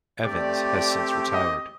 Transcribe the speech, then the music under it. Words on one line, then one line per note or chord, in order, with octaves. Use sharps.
Evans has since retired.
A3 C4 G4 D5
D#5